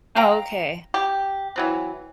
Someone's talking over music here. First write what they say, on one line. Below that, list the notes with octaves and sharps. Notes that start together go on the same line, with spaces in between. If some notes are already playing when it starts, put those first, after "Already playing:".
Oh, okay.
F5 G5 A#5
G4
E3 F#3 C4